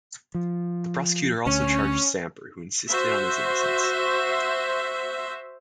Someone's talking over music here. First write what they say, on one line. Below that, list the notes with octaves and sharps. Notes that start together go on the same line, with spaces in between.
The prosecutor also charged Samper, who insisted on his innocence.
F3
D2 C#4
F#4 C5 E5